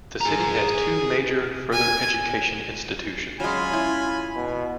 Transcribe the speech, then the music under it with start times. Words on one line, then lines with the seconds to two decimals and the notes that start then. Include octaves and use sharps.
The city has two major further education institutions.
0.21 G#4 A#5
1.72 G#5
3.40 F#3 G#3 C#4 F4 G#5 B5
3.73 E4
4.36 B2